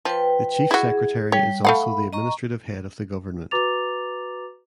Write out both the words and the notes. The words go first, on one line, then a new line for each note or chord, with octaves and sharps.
The chief secretary is also the administrative head of the government.
F3 B4 G5
E4 F#4 G#4
G3 C#5 G5
A3 F5 F#5 B5
D#5 A#5 C#6
F#4 B4 A#5 D6 A6 F7